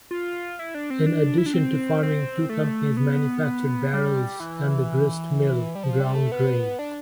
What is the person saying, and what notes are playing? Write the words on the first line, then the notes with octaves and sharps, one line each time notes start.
In addition to farming, two companies manufactured barrels and a grist mill ground grain.
F4
E4
D4
C4
D4
E4
D4
C4
C4
A3
B3
G3
E3
G3
F3
G3
A3
B3
D4